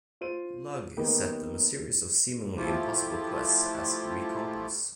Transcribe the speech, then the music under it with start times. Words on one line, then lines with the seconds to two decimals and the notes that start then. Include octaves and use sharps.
Lug set them a series of seemingly impossible quests as recompense.
0.21 F4 C5 D#7
0.97 D#3 A#3 B3 D#4 G4
2.57 F3 A3 E4 F4 G4